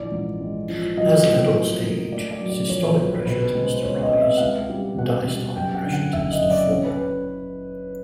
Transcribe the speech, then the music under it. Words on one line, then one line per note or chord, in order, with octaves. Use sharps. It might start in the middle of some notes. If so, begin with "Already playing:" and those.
As adults age, systolic pressure tends to rise and diastolic pressure tends to fall.
Already playing: A#1 E3 D5
G#2
G#3
F3
F#3 D#5
A2
A#3
A#3
A3 D5
D5
F#3
D5
A#1 C#5
C5
F#3
B4
B2 B4
B4
G#3
C5
C#2 C#5
D#5
C4
E5
F#5
C#2 F5
G3
B2 F#5
G3
F#2 G5
F#5
D3
F#5
F#1 E5
D#5
F#2
D5
C#4 C#5
B4